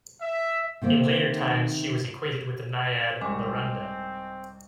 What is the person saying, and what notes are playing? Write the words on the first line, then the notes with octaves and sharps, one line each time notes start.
In later times, she was equated with the naiad Larunda.
E5
C3 D#3 A#3 C4
C2 G#2 C4 D#5 G#5 C#6 D6